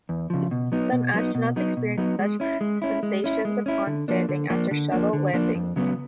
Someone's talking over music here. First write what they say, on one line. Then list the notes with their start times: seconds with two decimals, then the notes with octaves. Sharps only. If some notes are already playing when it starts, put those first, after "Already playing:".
Some astronauts experienced such sensations upon standing after shuttle landings.
0.09 E2
0.30 C#3 F3
0.51 B2
0.72 F#3 B3 D#4
0.92 B2
1.14 F#3 B3 D#4
1.35 B2
1.56 F#3 B3 D#4
1.77 B2
1.98 F#3 B3 D#4
2.19 G#3
2.40 C#4 E4
2.61 G#3
2.82 C#4 E4
3.03 G#3
3.24 C#4 E4
3.45 G#3
3.66 C#4 E4
3.87 D3
4.08 F3 A#3 D4
4.29 D3
4.50 F3 A#3 D4
4.71 D3
4.92 F3 A#3 D4
5.13 D3
5.34 F3 A#3 D4
5.55 F2
5.76 C#3 F#3 B3